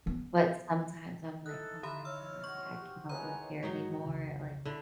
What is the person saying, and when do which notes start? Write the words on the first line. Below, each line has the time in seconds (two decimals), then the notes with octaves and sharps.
but sometimes I'm like, "Oh my god, I cannot live here anymore." Like,
0.06 B3 C#4
1.46 D#4 E4 A4 F#6
1.83 D3 G4 E5 B5
2.05 C#5 E6 F6
2.44 F#4 C5 C#6
2.79 G4
3.09 D#3 E3 G#3 B4 C#5 A#5
3.63 G#2 F#3 G#3 D#4 F#4 C#5
4.05 C2 F2 C#3
4.65 D3 E4